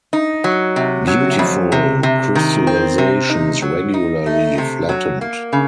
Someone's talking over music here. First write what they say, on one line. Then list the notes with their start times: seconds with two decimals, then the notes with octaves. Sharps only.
Beautiful crystallizations regularly flattened.
0.13 D#4
0.44 F#3
0.76 C3
1.07 F#3
1.39 F2
1.72 C3
2.03 C3
2.35 D#3
2.67 C4
2.98 C3
3.30 D#4
3.62 F#3
3.94 D#4
4.26 A3
4.58 C3
4.89 F#3
5.21 A#3
5.53 C#3